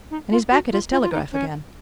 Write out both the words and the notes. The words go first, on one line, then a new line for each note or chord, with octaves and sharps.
And he's back at his telegraph again.
D#4
F4
F#4
F4
F4
F4
D#4
C#4